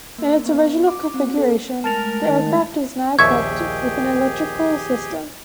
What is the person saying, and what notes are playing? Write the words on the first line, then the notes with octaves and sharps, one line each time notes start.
In its original configuration, the aircraft was not equipped with an electrical system.
A#3
B3
D6
C4
A4
G#3 A3 A#4 A5 A6 F7
D#3
A#1 D#2 G4 G#4 E5 G5 C#6 G#6